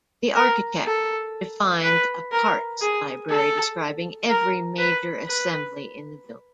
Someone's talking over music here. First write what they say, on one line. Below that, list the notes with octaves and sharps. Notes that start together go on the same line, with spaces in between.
The architect defines a parts library describing every major assembly in the building.
A#4
A4
B4
A#4
G#4
A4
A#4
B4
B4